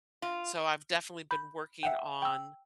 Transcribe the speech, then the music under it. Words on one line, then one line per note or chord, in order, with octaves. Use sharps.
So I've definitely been working on
F4
B5 G6
E5 F#5 G5
G5 E6